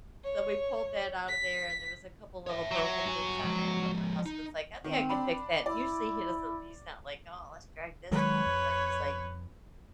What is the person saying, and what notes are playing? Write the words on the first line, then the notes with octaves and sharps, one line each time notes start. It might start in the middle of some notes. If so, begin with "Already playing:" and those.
so we pulled that out of there and there was a couple little broken things on it, but my husband's like, "I think I can fix that." And usually, he doesn't he's not like, "Oh, let's drag this home." But he's like,
C#5
B6
C#5 E5
F#3
G2 G#5
F3 G#3
D#4
D#3 C4
D4 B5
E4 D5
D#3 F#3 G#3 B4 C#5
F2